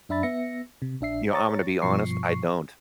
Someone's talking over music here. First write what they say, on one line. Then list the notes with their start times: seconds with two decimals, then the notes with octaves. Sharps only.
You know, I'm gonna be honest, I don't
0.09 F#2 D4 E5 B5 A6
0.23 B3 E5 A#6 C#7
0.82 C3
1.01 A#1 D4 E5 C7
1.33 C#5 A#5 C#6 A6
1.82 G2 B2 F3 C#6 C7